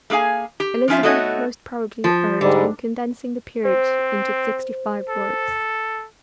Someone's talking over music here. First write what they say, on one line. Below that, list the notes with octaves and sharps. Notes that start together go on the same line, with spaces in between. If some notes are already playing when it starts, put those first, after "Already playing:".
Elizabeth most probably erred in condensing the peerage into sixty-five lords.
A3 A#3 G#4 F5 G#5
G4
F3 C4 C#4 F4 E5
A3 B3 D#4 F#4 C#5 D#5
F3
G#2 D3 G3
C4 C5
A4